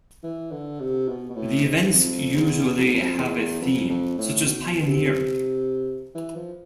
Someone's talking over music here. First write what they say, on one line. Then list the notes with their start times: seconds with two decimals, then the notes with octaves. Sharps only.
The events usually have a theme, such as pioneering.
0.23 E3
0.51 D3
0.80 C3
1.08 B2
1.30 B2
1.36 A2
1.65 G#2
1.92 F2
2.34 E2
2.77 F2
2.84 G#2
2.94 F2
3.18 E2
3.61 F2
3.89 F2
4.18 A2
4.45 B2
4.81 B2
4.87 C3
6.15 E3
6.36 F3